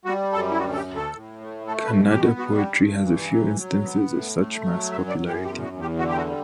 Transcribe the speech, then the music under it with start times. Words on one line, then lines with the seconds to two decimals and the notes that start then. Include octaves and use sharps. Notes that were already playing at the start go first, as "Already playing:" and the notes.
Kannada poetry has a few instances of such mass popularity.
0.05 G3 F#4
0.32 F#2 A4
0.52 E4
0.59 D2 F#4
0.73 A4
0.77 G4
0.86 D2
0.96 A4
1.14 A2
1.41 A3
1.67 A3 A4
1.85 B4
1.94 B2
2.10 G4
2.21 B3 F#4
2.39 F#4
2.48 G3
2.57 F#4
2.75 G2
3.02 E3
3.30 F#3
3.56 F#3
3.83 B3
4.10 A2
4.37 A3
4.64 F#3
4.91 F#2 E5
5.09 D5
5.19 F#2
5.27 G4
5.45 E2 G4
5.63 F#4
5.72 E2
5.81 G4
5.99 D3 F#4
6.08 G4
6.17 F#4
6.26 G3